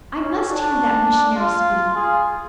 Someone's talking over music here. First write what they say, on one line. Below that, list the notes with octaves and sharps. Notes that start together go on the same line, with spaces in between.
I MUST hear that missionary speak.
C#4
D4
F4
F4 G#4